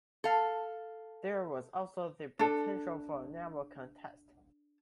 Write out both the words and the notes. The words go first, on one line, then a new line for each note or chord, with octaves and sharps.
There was also the potential for a naval contest.
A4 F5
D4 A4